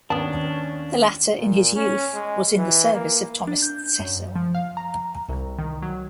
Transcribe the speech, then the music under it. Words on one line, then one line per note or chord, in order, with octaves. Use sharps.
The latter, in his youth, was in the service of Thomas Cecil.
D#2 B3 C#4 D4 G5 A5
A#2
C#4
G#3
E3
A#3
D4
G6
F#2
F3
F5
A#5
C2
D#3
F#3